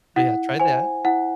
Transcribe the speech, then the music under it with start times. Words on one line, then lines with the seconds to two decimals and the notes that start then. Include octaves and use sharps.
So yeah, try that.
0.16 E4 F#5
0.60 C5 G#5
1.05 E4 F#5